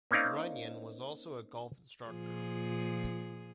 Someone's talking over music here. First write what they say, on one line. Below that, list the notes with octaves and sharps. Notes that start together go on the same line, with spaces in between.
Runyan was also a golf instructor.
A#3 C4 C#4 D#4 D5 F5
A#2 F3 G#4